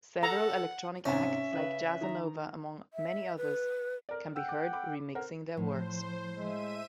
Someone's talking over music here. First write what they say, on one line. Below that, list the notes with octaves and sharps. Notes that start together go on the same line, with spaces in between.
Several electronic acts like Jazzanova among many others, can be heard remixing their works.
A4 F#5 A#5
G#2 C3 C#4 E5
C#3 B4
D#3 A#5
E5
B4
A#4 D5
F#5 G5 E6
D6
B5 D6
A#4 C5 F#5
A2 F3 C5
G#3 E5 D#7